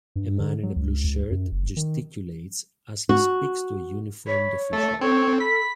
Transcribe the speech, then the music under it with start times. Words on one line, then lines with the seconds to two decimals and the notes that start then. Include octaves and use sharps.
A man in a blue shirt gesticulates as he speaks to a uniformed official.
0.16 G2
0.40 D3
0.63 F#3
0.76 C#2
1.04 C#2
1.30 F#2
1.52 F#1
1.77 D#3
3.09 F#4
4.27 C#5 B5
4.73 A3 A4
5.01 C4 A4 C#5
5.40 B5 B6